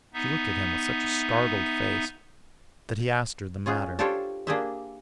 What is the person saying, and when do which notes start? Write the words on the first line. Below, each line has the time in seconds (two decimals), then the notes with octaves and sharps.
She looked at him with such a startled face that he asked her the matter.
0.14 B3 D#4 E5
3.66 C#4 F4 G#4
3.99 D4 F4 G4 A4 C5 C#5
4.47 A#3 D4 G4 G#4 C5 E5